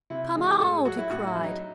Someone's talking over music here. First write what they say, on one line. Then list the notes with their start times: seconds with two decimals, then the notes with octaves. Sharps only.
"Come out!" he cried.
0.10 C3 E4
0.36 E3 G#3
0.44 G#4
0.60 A2 A4
0.73 G#4
0.85 F#3 F#4
0.98 E4
1.10 A2 F#4
1.27 E4
1.36 F#3
1.43 D#4